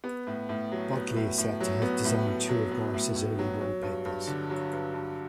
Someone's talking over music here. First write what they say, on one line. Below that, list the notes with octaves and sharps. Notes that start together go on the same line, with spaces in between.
Bodley is said to have designed two of Morris's early wallpapers.
B3
A2
A2
F#3
B3
A2
A2
F#3
B3
A2
A2
F#3
B3
A2
A2
F#3
F#3
G2
G2
D3
F#3
G2
G2